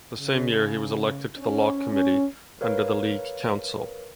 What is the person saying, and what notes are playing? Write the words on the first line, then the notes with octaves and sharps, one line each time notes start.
The same year he was elected to the Law committee under the League council.
C#3
C#4
C#4
A#4 B4 C#5 F5